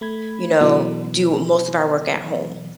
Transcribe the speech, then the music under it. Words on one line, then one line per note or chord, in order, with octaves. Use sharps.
you know, do most of our work at home.
A3 B5 G#6
B2 E3 F#3 B3